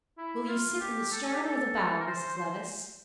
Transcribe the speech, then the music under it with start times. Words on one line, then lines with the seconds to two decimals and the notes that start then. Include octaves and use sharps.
"Will you sit in the stern or the bow, Mrs. Levice?"
0.18 E4
0.48 F4
0.80 G4
1.12 A4
1.23 A4
1.33 G4
1.43 A4
1.99 A#4
2.07 C5
2.37 C5